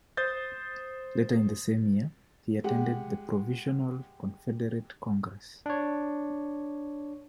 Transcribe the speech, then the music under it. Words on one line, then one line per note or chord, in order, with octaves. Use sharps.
Later in the same year, he attended the Provisional Confederate Congress.
C5 D#6 G6 A6
G#3 G4 F#5
D4 C#5